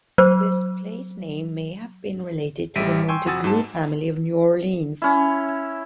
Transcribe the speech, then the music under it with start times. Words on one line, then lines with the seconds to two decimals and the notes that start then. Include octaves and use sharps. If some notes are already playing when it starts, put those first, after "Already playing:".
This place name may have been related to the Montegut family of New Orleans.
0.18 F#3 C5
2.76 A1 G3 E5 B6 D7 D#7
3.08 G5 G#5 C6 C#6 E6
3.26 F2 F#4 G#5 D#6 E6 A6
3.44 G#2 A5
5.02 C#4 E4